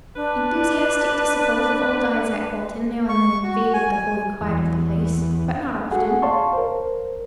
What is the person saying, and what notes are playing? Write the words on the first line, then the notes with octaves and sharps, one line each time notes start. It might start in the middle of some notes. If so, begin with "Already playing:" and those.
Enthusiastic disciples of old Izaak Walton now and then invaded the holy quiet of the place: but not often.
D4 B4
C#6
F#4
G#5
G#5
E2
F#4 G#4 A4 F#5 G#5
C#5 D5 F5 A5 C6 C#6
A#4 C5